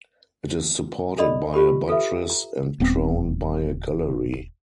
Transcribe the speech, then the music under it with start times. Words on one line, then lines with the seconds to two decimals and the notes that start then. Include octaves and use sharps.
It is supported by a buttress and crowned by a gallery.
1.18 A4 D5 D#5 B5
1.54 F4 G4 B5
1.88 F4 A4 B4 E5
2.30 A#5
2.80 D#1 B3 C4